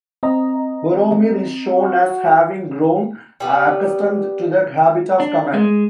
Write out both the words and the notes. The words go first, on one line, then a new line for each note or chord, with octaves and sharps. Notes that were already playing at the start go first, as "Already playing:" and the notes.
Boromir is shown as having grown accustomed to the habit of command.
C4 D#5 A#5
F#4
G3 B3
D4
G#3